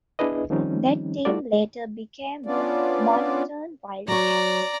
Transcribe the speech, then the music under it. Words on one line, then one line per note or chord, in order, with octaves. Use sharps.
That team later became the Moncton Wildcats.
B3 D4 E4 G#4 B4 D#5
D#3 F3 G3 C4 C#4 D#4
G3 A3 F4 F#4 A4 D5
B3 C#4 D4 F4 D5
F#3 C#5 D5 A#5